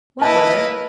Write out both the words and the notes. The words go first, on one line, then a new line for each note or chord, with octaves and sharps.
"What, mother?"
A#3 E4 B4 D#5 A5